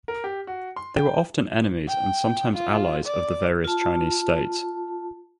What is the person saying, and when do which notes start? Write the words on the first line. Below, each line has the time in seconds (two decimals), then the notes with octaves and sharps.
They were often enemies and sometimes allies of the various Chinese states.
0.08 A#4
0.24 G4
0.47 F#4
0.76 C6
0.96 G5
1.88 G5
2.54 F4
3.06 D5
3.64 F4 A5